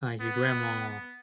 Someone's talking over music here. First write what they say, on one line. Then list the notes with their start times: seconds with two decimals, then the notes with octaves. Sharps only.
Uh, your grandma
0.21 B3